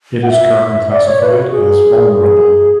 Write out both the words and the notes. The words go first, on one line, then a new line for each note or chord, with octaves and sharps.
It is currently classified as vulnerable.
F#5
E5
D5
C#5
B4
F#4
F#4
G#4
G#4